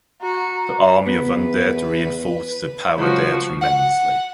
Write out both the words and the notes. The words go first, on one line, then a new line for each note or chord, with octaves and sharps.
Her army of undead reinforces her power there tremendously.
F#4 A#5
E2 B3 B4
C#2 F3 F#3 F#4
F#5